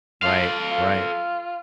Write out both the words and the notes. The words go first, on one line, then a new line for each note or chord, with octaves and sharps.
Right, right.
F4 A4 F5
F4